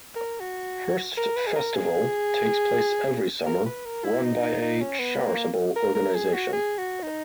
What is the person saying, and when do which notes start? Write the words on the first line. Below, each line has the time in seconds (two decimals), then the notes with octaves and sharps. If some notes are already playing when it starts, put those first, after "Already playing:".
Hurst Festival takes place every summer, run by a charitable organisation.
0.16 A#4
0.40 F#4
1.17 A#4
1.36 B4
1.47 G#4
1.56 A#4
1.75 G#4
3.46 A#4
3.66 B4
3.85 A#4
4.04 E4
4.23 D#4
4.42 D#4
4.62 D#4
4.81 C#4
4.99 B3
5.26 A#3
5.76 A#4
5.95 A#4
6.15 G#4
6.34 F#4
6.52 G#4
6.78 F#4
7.03 D#4